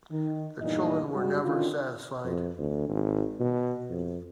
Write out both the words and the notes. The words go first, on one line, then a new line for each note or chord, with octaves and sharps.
The children were never satisfied.
D#3
E2 G2 A#2 E3 D#4 D#5
G2 G3 G#3 F#4
D3 D#3 C#4 F4
F2
D2
G#1
B2
F2